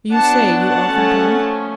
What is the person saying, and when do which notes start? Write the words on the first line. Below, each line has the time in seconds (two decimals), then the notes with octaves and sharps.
'You say you often come?'
0.11 F#3 B3 D4 F#5 A5
0.51 F#5 A5
0.90 F3 A3 C#4